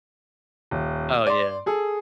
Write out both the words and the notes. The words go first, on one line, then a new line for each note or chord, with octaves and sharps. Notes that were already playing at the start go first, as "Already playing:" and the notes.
Oh, yeah.
D#1
D5 C6
G#4 A4